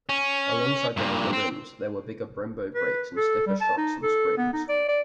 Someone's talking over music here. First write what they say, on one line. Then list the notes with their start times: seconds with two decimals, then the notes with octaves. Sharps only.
Alongside the bigger rims, there were bigger Brembo brakes and stiffer shocks and springs.
0.09 C#4
0.97 G2 A#2
1.33 C4
2.75 B4
3.17 A4
3.47 G3
3.61 A5
3.78 D#4
4.03 A4
4.38 B3
4.53 D#4
4.69 D5
4.88 D5